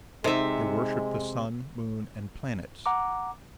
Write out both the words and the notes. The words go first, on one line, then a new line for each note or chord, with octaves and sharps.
They worshipped the sun, moon, and planets.
C3 G#3 D#4 A4 E5
F#5 A#5 D6